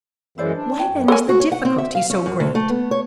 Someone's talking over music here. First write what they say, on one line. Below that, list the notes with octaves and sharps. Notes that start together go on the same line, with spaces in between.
"Why then is the difficulty so great?"
F#2 E3 G#3 E4 C5 D5
D4
C#4 G5
F#2
A4 A#4 C#5 G#5
F#4
C#5
F#5
C4
E5
F5
C#4
F#2
D2
A3
B3
C#5